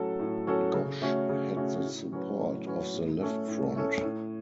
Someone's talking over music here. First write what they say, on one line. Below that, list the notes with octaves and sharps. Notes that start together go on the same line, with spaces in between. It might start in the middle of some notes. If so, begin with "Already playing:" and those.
Ghosh had the support of the Left Front.
Already playing: A2 F#3 C#4 F#4 A4
A2
F#3 C#4 F#4 A4
C#3
A3 C#4 F#4
C#3
A3 C#4 F#4
A2
F#3 C#4 F#4 B4
A2
F#3 C#4 F#4 B4
A2
A3 C#4 A4
A2
A3 C#4 A4
A2